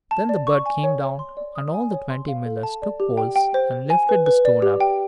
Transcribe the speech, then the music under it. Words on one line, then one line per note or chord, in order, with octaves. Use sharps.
Then the bird came down, and all the twenty millers took poles, and lifted the stone up.
A5
D5
C#6
G#5
C#5
C#5
C6
D5
D#6
G#5
C#5
C6
F5
A4
A5
D5
G4
G5
G5
C5
C5
G#5
B4
B4
D5
G4
G5